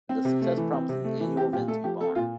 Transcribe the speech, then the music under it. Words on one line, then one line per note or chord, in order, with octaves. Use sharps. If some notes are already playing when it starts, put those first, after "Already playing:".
The success prompted an annual event to be born.
C4
C3
A3
E3
C4
C3
A3
E3
C4 G4
A#2 G4
A3 A4
F3 G4
C4 A4
A#2 F4